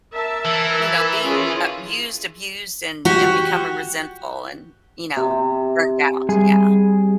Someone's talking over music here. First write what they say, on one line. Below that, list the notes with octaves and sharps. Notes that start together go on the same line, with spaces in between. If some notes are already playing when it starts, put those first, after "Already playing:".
you know, being a used, abused, and and becoming resentful and, you know, burnt out yeah
A#4 E5 A5
E3
C#4 F4 G#4
F#4 G4
C3
G3 G#4 G#5